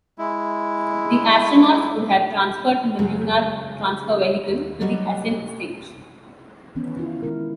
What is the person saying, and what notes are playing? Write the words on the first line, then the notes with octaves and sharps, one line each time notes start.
The astronauts would have transferred from the lunar transfer vehicle to the ascent stage.
G#3 E4
C#3 F#3 G#3
D#2
F#3 G3 F#4 D#5
D#3 E3 B3 C#4
D3 C#4 E4 F4
D#3 G#3 E4 A#4